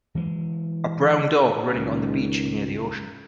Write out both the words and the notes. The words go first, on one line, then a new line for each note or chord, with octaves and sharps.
A brown dog running on the beach near the ocean.
E3 F#3 G#3
C#2 D#3